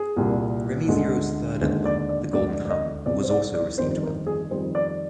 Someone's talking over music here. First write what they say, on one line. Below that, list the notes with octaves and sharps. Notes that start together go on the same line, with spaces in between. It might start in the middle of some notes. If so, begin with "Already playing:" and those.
Remy Zero's third album "The Golden Hum" was also received well.
Already playing: G#4
C2 A#2 G3
D2 D3 G#3
D#2 D3 G#3
D5
D5
D2 D3 G#3 D5
D5
D#5
C2 C3 G3 D5
C5
D5
D5
G1 F2 D#3 G3 C5
A#4
G#4
F2 D#3 G3 C5
D5